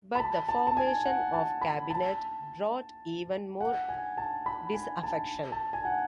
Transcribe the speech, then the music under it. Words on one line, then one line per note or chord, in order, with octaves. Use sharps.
But the formation of Cabinet brought even more disaffection.
B5
A5
A5
A5
G#5
F#5
A5
B5
A5
F#5
G#5
A5
B5
G#5
A5
A5
G#5
F#5